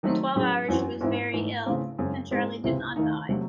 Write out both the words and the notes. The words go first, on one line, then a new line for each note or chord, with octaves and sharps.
In twelve hours she was very ill. And Charley did not die.
D#3 F#3 A3 C4 D#4
A2 F#3 C#4 G#4
F#2 E3 C4 F#4
G#2 E3 C4 E4
G#2 E3 A3
C#3 E3 A3 C4
F#2 C#3 G#3 C4
G#2 E3 G#3 C4 D#4
C#2 C3 E3 C4 E4
D#2 D#3 A3 D#4
C3 F#3 A3